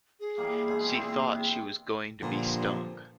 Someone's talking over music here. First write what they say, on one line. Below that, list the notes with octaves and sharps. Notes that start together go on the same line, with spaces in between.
She thought she was going to be stung.
G#4
E3 G3 A#3
G2 B2 G#3
A#2 E3 C4
C3
G2 A#2 D3 F3